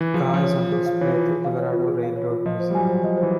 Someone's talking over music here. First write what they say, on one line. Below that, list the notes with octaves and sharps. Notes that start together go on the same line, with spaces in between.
The car is on display at the Colorado Railroad Museum.
E3
F3 G#4
F3 F5
C#5
F4
F3 G#4
F5
E3 C#5
F4
G#4
F5
C#5
F4
G#4
F5
C#5
F4
F3 D#5
C5
G3
F#3 G#5
C5
F3 D#5
C5
E3